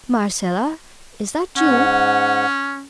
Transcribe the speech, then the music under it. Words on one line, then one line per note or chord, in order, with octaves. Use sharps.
"Marcella, is that you?"
G#2 C#4 F#5